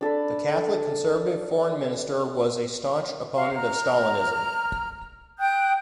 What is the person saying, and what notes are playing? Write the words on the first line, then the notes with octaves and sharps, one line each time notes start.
The Catholic-conservative foreign minister was a staunch opponent of Stalinism.
D4 A4 D5 B5
F#4 F5
A#5 F6
G5 D#6 F#6 G6